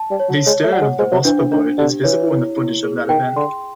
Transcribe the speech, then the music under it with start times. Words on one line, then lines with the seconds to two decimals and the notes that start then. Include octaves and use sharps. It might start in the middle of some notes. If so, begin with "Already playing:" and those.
The stern of the Vosper boat is visible in the footage of that event.
Already playing: A5
0.11 G3
0.20 C#5
0.29 F#3
0.46 G#3 C#5
0.64 A3
0.72 G3 F#5
0.82 G#3
0.99 G#3 C5
1.12 F#3
1.25 E3 D4
1.38 E3
1.51 D#3 D4
1.78 D3 G4
2.04 E3 C#5
2.30 E4
2.56 E4
2.83 G#4
3.09 D#3 G5
3.36 D3 C6